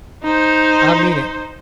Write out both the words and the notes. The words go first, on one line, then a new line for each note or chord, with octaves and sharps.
I mean it!
D#4 C5